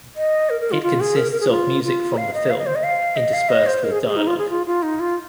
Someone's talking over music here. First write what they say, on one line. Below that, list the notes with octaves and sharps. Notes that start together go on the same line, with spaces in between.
It consists of music from the film, interspersed with dialog.
D#5
A#4
A#4
F4
F4
G#4
A#4
A#4
G#4
F4
F4
F5
D#5
F5
D#5
C5
D#5
F5
D#5
F5
D#5
C5
A#4
G#4
G#4
D#4
F4
G#4
F4
F4
D#4
F4